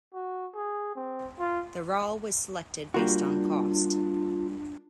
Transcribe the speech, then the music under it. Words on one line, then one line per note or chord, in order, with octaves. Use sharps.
The "Rall" was selected based on cost.
F#4
G#4
C4
F4
G3 A#3 D4 F4 F#4